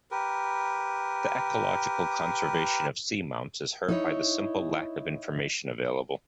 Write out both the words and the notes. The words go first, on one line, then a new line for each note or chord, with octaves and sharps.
The ecological conservation of seamounts is hurt by the simple lack of information available.
G4 A#4 B4
D#4 E4 C#5